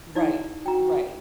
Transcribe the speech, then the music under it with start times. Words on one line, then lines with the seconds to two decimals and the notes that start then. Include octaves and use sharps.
Right, right,
0.15 D#4 E4 D5
0.66 F#4 G5 A#5